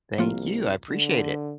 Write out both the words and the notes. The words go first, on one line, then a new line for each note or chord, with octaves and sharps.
Thank you, I appreciate it.
C2 F3 A#3 F4
D3